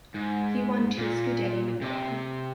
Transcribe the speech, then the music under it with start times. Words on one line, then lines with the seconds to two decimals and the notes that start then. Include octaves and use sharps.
He won two Scudetti with Milan.
0.15 G#2
0.98 A#2
1.82 C3